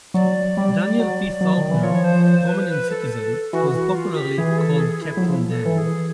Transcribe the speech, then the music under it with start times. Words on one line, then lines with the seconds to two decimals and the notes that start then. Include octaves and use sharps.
Daniel P. Faulkner, a prominent citizen, was popularly called Captain Dan.
0.14 F#3 D5
0.57 G3
0.99 F#3
1.41 F#3
1.58 D#3
1.71 E3
1.83 F3 C#5
2.04 C5
2.26 C5
2.47 B4
2.69 B4
2.90 A4
3.10 A4
3.53 E3 F#4
3.75 F#4
3.95 F4
4.16 G4
4.38 E3 G#4
4.58 A4
4.79 G#4
5.01 E4
5.17 F#3
5.22 F3
5.50 A4
5.65 E3
5.78 G#4